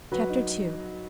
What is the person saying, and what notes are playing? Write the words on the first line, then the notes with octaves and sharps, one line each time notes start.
Chapter II.
F#3 B4
D#4